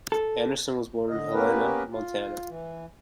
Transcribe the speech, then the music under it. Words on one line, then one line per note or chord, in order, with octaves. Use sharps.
Anderson was born in Helena, Montana.
A4
D3 D#5
A#3 B3 C#4 G4 A#4 B4
F4
E3